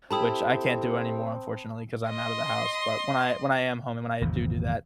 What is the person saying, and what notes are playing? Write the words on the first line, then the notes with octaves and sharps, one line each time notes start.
which I can't do anymore unfortunately, 'cause I'm out of the house, but when I when I am home and when I do do that,
C4 E4 G4 A4 A5 B5 D#6
D#5 C6
G#1 E2 C3 F3